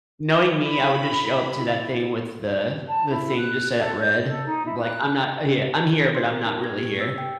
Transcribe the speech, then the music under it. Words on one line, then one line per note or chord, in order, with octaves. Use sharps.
Knowing me, I would just show up to that thing with the the thing just set at red, like, I'm not yeah I'm here, but I'm not really here.
E4 B5
E4
A5
E4
F#6
A4
G6
A4
D#4
E4
F#6
C6
A#4
D#4
G#6
G4
E6
G5